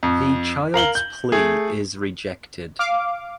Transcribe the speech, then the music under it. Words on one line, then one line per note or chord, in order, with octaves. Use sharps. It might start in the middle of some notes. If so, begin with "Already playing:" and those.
The child's plea is rejected.
F2
A#4 F5 F#7 G7
G6
A3 G#4
F5 D6